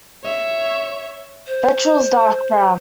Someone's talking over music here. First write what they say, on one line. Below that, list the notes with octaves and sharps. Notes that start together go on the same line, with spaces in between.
Ventrals dark brown.
C#5 E5
C5